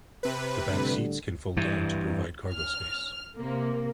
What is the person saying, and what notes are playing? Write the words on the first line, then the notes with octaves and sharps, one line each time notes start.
The back seats can fold down to provide cargo space.
C3 B4
A2 D3 G3
G2 E3
F6
C3 A#3